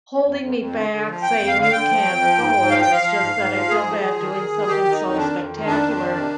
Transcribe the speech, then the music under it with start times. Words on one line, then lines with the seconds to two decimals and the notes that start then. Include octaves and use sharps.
holding me back saying, "You can't go." It's just that I feel bad doing something so spectacular
0.24 F2
0.41 F2
0.57 F2
0.74 D3
0.90 D3
1.07 F3
1.22 F2 G5
1.39 F2
1.47 F5
1.55 D3
1.62 F5
1.72 D3 G5
1.88 F3
2.05 F2
2.21 F3
2.38 G#2
2.55 G#2
2.70 F3 F5
2.81 G5
2.87 F3 F5
3.03 F3
3.20 G#2
3.36 G#2
3.53 F3
3.69 G#2 G#4
3.85 F3
4.02 F3
4.19 D#3
4.35 D#3
4.51 D#3
4.67 D#3 G4
4.84 D#3
4.91 D#4
5.00 F2
5.16 D#3 D4
5.33 F2
5.49 D#3
5.65 F2 D4
5.82 F2
5.98 D#3
6.16 C3